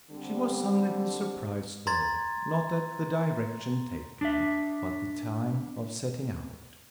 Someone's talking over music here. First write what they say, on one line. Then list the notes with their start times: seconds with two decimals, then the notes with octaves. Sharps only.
She was some little surprised, though; not at the direction taken, but the time of setting out.
0.11 D3 G3 C4
1.87 A#5 C6 G#6 A6
4.21 D4 E5